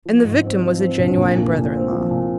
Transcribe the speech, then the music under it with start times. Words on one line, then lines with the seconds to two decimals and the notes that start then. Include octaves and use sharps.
And the victim was a genuine brother-in-law.
0.06 F3
0.24 G#2
0.43 C4
0.62 F3
0.80 C4
0.99 A#1
1.17 A#2
1.36 A#2
1.55 A#2
1.74 C4
1.92 F3
2.11 A#2